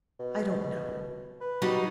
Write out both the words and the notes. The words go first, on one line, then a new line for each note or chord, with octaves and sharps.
I don't know.
B2
B4
F#3 G3 D#4